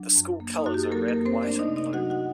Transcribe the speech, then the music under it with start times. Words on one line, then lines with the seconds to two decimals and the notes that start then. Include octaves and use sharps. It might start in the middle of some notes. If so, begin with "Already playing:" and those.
The school colors are red, white, and blue.
Already playing: F#3 D4
0.16 F#2
0.40 A#3
0.57 D#4
0.66 F#2 F#4
0.74 G4
0.83 A4
0.91 F#3 A#3 A#4
1.08 A#3 A#4
1.17 F#2
1.26 C4 C5
1.42 A3 D4 D5
1.59 D#4 D#5
1.68 C3
1.76 D#4 D#5
1.93 F#3 F#4 F#5
2.10 F#4 F#5